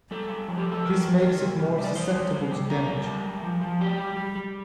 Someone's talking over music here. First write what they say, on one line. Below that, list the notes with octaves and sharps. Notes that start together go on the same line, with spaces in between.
This makes it more susceptible to damage.
G3 A4
G3
F3
G4
F3
A4
F3 A#4
F3
D#3 A#4
C3
G3
G3
D5
G3 C5
G3
G3
G3
G3 A#4
G3
G3
G3
F3
F3
G3 G4
G3
G3
G3